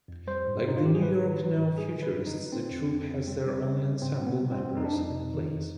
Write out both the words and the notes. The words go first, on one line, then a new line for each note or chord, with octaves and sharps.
Like the New York Neo-Futurists, the troupe has their own ensemble members and plays.
F2
G3 C5
G#2
G#2 D#4
F4
G#2 G4
G#4
G#2 B4
D#3
D#3
G#2
G3 G#4
D3
B4
G3
D#4
D3
D3 C4
F2
F2
F2
G3 C4
G3
G3
G3
G#2 C4
G3
B3
G3
C4
G3
F2 D#4
D4
F2 D#4
F2
D#3
F2